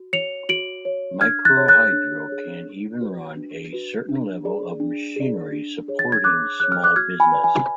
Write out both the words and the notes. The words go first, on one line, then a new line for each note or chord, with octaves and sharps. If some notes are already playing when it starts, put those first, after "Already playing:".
Microhydro can even run a certain level of machinery supporting small businesses.
Already playing: F#4
C#5 C#7 F7
F#4 D7 F#7
C#5
D4 F6 G#6
F#6 A6
G#4 C#5
F#6 A6
D4
G#4 C#5
D4
F#4 B4
D4
F#4 B4
D4
G#4 D5
D4
G#4 D5
D4
G#4 C#5
A6
G#6
D4 D6 F#6
G#4 C#5 F#6
F6
D6 F#6
F#4 F6 G#6
G#5 B5
B4 D5
G#5